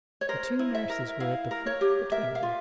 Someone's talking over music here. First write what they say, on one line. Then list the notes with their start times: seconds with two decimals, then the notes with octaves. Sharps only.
The two nurses were at the foot between them.
0.21 C#5
0.29 A#4 C5
0.59 E4
0.75 E5
0.90 A#4
1.20 E4 F5
1.51 A#4
1.66 C#5
1.81 G4
2.12 A#4 E5
2.35 F5
2.43 F4